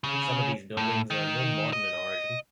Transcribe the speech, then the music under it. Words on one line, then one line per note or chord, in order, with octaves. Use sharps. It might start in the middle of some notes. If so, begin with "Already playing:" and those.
Some of these buildings are more modern in origin.
C#3
A2
D#3
D#5